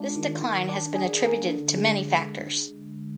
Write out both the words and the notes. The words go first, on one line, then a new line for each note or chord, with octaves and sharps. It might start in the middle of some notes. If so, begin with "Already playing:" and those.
This decline has been attributed to many factors.
Already playing: G#3 D4 F4
D#3
D#3
D4
G#4
A#3
D3
G#3